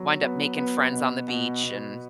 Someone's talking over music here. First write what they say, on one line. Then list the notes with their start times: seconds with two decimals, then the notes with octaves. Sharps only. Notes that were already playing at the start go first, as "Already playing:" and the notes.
wind up making friends on the beach, and
Already playing: F#3 B3
0.22 B3
0.57 B3
0.92 B2
1.28 B2
1.63 B2